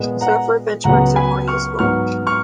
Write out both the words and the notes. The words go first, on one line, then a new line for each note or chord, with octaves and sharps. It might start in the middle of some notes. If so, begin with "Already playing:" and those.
Software benchmarks are more useful.
Already playing: A#2 G#3 B3
F#5 A#5
C#2 C#3 F#3 B3 F#5 A#5
G#5 B5
C#6 F6
G#2 F#3 B3 C#6 F6
C#6 F6